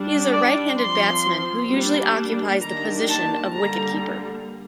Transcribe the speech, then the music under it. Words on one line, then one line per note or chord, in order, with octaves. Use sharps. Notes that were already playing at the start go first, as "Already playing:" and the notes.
He is a right-handed batsman who usually occupies the position of wicketkeeper.
Already playing: G3 D4
D5
F3 C4 C6
G3 A#3 D4
D#3 G3 A#3 D4 A#5
A5
D3 G3 A#3 A#5